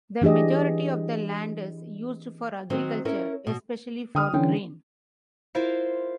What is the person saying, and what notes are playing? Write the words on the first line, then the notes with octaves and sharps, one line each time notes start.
The majority of the land is used for agriculture, especially for grain.
E3 D4 G4 G#4 D#5
D#3 F#3 C4
C#4 E4 A#4
B2
D3 G5 D#6 F6
D3 E3 C#4 G5
E4 F4 A#4 C5 F5